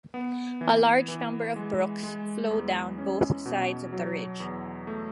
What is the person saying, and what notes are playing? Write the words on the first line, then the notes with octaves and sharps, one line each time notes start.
A large number of brooks flow down both sides of the ridge.
B3
E3
E3
G#3
G#3
E2
C#4
B2
F#3
E2
A3